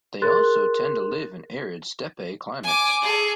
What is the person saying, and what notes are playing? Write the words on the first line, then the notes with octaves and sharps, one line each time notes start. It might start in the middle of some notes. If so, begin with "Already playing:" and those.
They also tend to live in arid steppe climates.
G#4 A#4 C6 F#6 A6
G#5 D6
G#4 A4